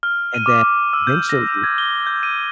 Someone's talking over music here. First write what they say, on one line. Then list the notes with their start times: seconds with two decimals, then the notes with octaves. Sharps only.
and then, eventually,
0.03 F6
0.34 D#7
0.46 D6
0.93 E6
1.07 G6
1.29 A#6
1.64 G#6
1.78 G7
2.07 G6
2.23 D#7